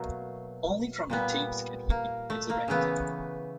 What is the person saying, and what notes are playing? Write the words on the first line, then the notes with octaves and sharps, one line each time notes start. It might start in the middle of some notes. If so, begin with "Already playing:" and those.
Only from the tapes can he be resurrected.
Already playing: B2 F#3 A3 A#3
A#2 G3 B3
A#3
A3
A#3
C#3 E3 A3 B3